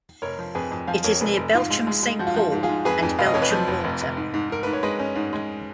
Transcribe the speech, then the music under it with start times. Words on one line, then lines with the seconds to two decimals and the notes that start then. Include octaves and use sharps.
It is near Belchamp Saint Paul and Belchamp Walter.
0.22 F1 A#4 C#5
0.39 F3
0.55 F2 G#4 B4
0.72 F2
0.88 F3 F5 G#5
1.04 F2 A#4 C#5
1.21 F1 G#4 B4
1.37 F1
1.54 G#2 F4
1.70 G#3
1.87 G#3
2.03 G#3
2.19 F3 F#4
2.27 F4
2.34 F3 F#4
2.52 G#2
2.63 F4 G#4
2.69 G#2
2.85 F2 G#4 B4
3.03 F2
3.19 F1 F5
3.26 D#5
3.34 F2 C#5
3.42 B4 D#5
3.51 F3
3.68 F1
3.84 F1
4.01 F1
4.17 G#2
4.34 G#2
4.50 G#2 A#4
4.63 G#2 B4
4.73 C#5
4.83 G#3 B4 D#5
4.99 C#4
5.16 G#2
5.33 G#3